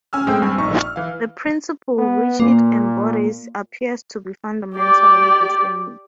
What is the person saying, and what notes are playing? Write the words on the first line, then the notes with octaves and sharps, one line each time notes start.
The principle which it embodies appears to be fundamentally the same.
C#4 G#5 E6 F6
A2 G#3 C4 C5 G5
G2 G3 C4 G#5
A#1 D#4 C#6
F6
E3 F5
B3
A#2 A#3
G4 D5